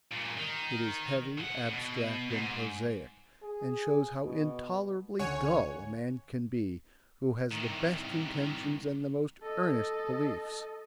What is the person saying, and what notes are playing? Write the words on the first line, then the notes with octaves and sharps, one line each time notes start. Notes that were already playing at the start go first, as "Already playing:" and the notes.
It is heavy, abstract and prosaic, and shows how intolerably dull a man can be who has the best intentions and the most earnest beliefs.
G2 A#2
D#3
A2 F#5
B2
G#2
G#4
B2
C#2 D3 C#5 F#5 G#5
C2 D#3
A4 D#5